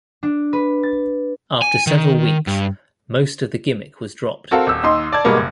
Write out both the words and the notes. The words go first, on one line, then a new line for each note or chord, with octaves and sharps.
After several weeks, most of the gimmick was dropped.
D4
B4
A6
G#5
D#3
G2
C4 F#4 A4 A#4 F5
D#1 E6
D#2 D#4 C6
D5 A5 G#6
G#2 B2 G3 G#3 A#3 B3
F#1